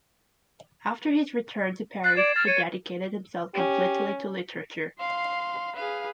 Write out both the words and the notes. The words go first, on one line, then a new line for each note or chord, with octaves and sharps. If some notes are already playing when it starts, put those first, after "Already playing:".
After his return to Paris he dedicated himself completely to literature.
F#6 A6 C7
D5 G#6 E7
F6 A6
C#5 C#7 D#7
C#4 G4
F5 C6
G#4 B4 F5